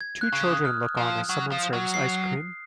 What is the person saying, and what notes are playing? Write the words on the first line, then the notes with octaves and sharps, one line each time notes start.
Two children look on as someone serves ice cream.
G#6
F#6
C#3
D#6
F6
F3
F#3
F3
F#3
C7